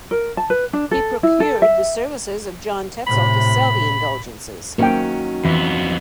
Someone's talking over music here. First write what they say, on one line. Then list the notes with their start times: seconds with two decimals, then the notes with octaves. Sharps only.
He procured the services of John Tetzel to sell the indulgences.
0.11 A#4
0.37 A5
0.50 B4
0.73 D4
0.91 A4
1.23 E4
1.40 A4
1.62 E5
3.07 A2 C3 B5
4.78 D#3 F#3 A#3 C#4 G5
5.45 F2 E3 B3